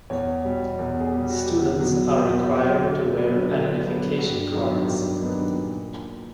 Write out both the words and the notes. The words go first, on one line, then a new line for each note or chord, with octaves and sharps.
Students are required to wear identification cards.
E2 C#5
B2 G3
E2 A#4
G#4
B2 G3 G4
F#4
E2 G4
B2 F#3
E2
B2 F#3
D3 F#4
F#3 B3 D4
D3
F#3 B3 D4
G2 F#4
D#3 F#3 B3 D4
G2 G4
D#3 F#3 B3 D4
A#2